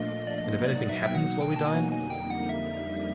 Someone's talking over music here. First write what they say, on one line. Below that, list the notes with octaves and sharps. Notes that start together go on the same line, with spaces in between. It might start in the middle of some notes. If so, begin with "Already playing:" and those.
And if anything happens while we dine?
Already playing: A#2 F3 A3 D4 F4 D#5
D5
B2 F#3 A#3 D#4 F#4 D#5
D5
E5
G5
F#5
G5
A5
G#5
F2 D3 G3 A#3 D#4 G#5
G5
F#5
E5